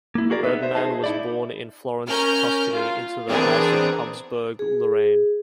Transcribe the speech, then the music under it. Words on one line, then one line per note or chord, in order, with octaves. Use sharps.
Ferdinand was born in Florence, Tuscany, into the House of Habsburg-Lorraine.
A#3 E4
F#4 G#4 A#4 D5
B3 D#4 B4 E5
C5 E5
D#4 G#4 C5 D#5 E5 A5
D#4 E4 D5
C#4 A#4 F6 G6
F4
E3 B3 C4 D4 G#4 A#4
G#4